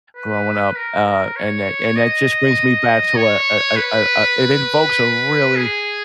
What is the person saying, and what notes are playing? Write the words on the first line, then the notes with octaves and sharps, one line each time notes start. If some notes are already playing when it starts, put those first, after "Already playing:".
growing up, uh, and that and that just brings me back to a a a a a it invokes a really,
B4
A#4
A#4
C#5
D#5
C#5
B4
G#4